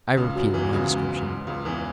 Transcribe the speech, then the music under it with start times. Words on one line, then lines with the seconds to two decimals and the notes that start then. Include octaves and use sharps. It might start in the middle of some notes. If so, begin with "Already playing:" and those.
I repeated my description.
0.17 C#2 C#3
0.36 F#2 F#3
0.54 E2 E3
0.73 C#2 C#3
0.86 G#2
1.14 G#2
1.29 G#2
1.47 C#2 C#3
1.65 E2 E3